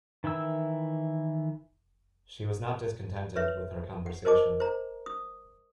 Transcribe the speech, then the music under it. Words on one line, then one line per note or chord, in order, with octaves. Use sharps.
She was not discontented with her conversation.
D#3 E3 E4 E6
B4 C#5 E5
F#5
A#4 C5 D#5 A5 D6
C5 A#5
D#6